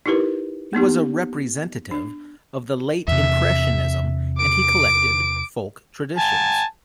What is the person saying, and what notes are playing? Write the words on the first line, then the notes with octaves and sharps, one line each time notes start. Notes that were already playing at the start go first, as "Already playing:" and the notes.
He was a representative of the Late-Impressionism and he collected folk traditions.
D#4 E4 G4 A#4 B4
A#3 B3 D#4 G4
D4
E2 C3 E5
D6 D7
G#5 A5